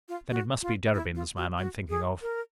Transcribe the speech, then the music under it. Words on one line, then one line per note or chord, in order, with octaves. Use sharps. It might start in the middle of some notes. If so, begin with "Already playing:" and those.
Then it must be Derebin's man I am thinking of.
F4
F#4
F4
E4
F4
F#4
F#4
G#4
A#4